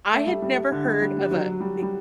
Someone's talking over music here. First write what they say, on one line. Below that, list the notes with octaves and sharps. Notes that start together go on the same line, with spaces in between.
I had never heard of a big
A3
G3
G3
G3
D3
G3
G3
G3
F#3
G3
G3